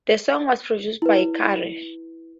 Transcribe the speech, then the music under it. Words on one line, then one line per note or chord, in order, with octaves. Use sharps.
The song was produced by Carr.
E4 B4